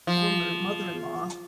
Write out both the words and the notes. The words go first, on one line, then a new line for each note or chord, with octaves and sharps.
former mother-in-law
F3